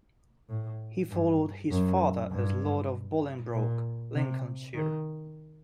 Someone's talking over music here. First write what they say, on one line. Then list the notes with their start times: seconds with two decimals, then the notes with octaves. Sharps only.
He followed his father as Lord of Bolingbroke, Lincolnshire.
0.49 A2
1.10 G2
1.71 F#2
2.31 G2
3.54 A#2
4.14 C3
4.75 D#3